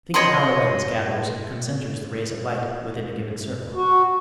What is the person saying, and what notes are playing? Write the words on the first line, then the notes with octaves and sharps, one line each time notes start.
Think of how a lens gathers and concenters the rays of light within a given circle.
C#5 D#5 B5 C6
F#4